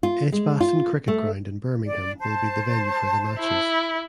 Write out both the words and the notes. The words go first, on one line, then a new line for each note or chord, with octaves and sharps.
Edgbaston Cricket Ground in Birmingham will be the venue for the matches.
F4
G#3
F4
A3
D5
C5 A5
E4